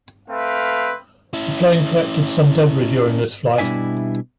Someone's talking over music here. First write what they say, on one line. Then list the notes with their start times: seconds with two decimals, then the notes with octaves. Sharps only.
The plane collected some debris during this flight.
0.29 A3 C4 B4 F5
1.34 C#4 E4
3.58 B2 G3 D4 E4 E5 G#5